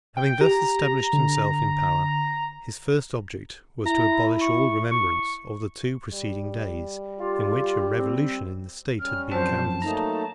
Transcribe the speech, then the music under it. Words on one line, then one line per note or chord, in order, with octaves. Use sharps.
Having thus established himself in power, his first object was to abolish all remembrance of the two preceding days, in which a revolution in the state had been canvassed.
G5
G4 A#5
D3
E4 A#5
C#6
C#6
G3
F4 G4
C4
G3 C#4 F6
F#2 F3 C4 C5 A5
F#3 A3 A#3 D#4 A#5